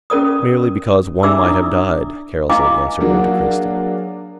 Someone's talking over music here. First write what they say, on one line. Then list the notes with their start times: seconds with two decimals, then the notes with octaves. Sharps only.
"Merely because one might have died," carelessly answered Monte Cristo.
0.10 C#4 A#4 D5 D#6
1.23 D4 D#4 D5 E5 D6 E6
1.44 E4 D5 D#6
2.50 E4 D#5 F5 G5 G#5 D6
3.01 F#3 A#3 D4 F#4 G#4